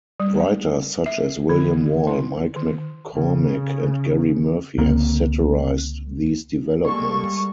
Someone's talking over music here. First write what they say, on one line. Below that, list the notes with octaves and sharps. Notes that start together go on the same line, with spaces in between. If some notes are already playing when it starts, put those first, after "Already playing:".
Writers such as William Wall, Mike McCormick, and Gerry Murphy have satirised these developments.
G3
E5
D3
E4
D#3
C#3
C#2 D3 A#3 C4
G3 G#3 A#3 A4 C#5 C#6